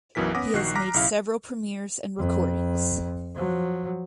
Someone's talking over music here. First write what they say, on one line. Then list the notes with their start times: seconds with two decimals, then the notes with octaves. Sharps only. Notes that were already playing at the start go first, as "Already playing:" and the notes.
He has made several premieres and recordings.
0.15 B1 F#2 B2 E3 A#4 B6
0.35 B3 C#4 F#5 D6 D#6 A#6
0.54 A#1 D#3 F#4 F#6 C7
0.75 A#5 D6 F6 A#6 B6
0.94 B1 C#3 E4 F5 F6
2.18 F2
3.34 F3 F#3